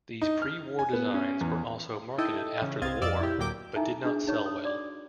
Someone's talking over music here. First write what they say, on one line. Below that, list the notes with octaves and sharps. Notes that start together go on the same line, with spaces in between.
These pre-war designs were also marketed after the war, but did not sell well.
D#4
F6
G#5
B3
C#4
E2
D#4 E4 A4 D#5 E5 G5
C#3 E3 C#4
C2 C4 D#5 F5 G#6 A6
F2 D5 D#5 F5 E6 A6
E4 G4
D2 A2 F#3 A#3 G5 D6
D#4 E4 A4 E5 G#5
D4 G#4
D#4 C#5 C#6
D#6
F#4 D5 D6